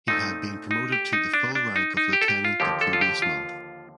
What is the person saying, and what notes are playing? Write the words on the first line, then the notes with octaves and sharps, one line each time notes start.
He had been promoted to the full rank of lieutenant the previous month.
A#2 A3 C4 D#4
D#4
G4
D#4
D4
D4
D#4
D#4
G4
A4
G4
F4
D#2 D3 F3 A#3 G4
A4
F4
G4
F4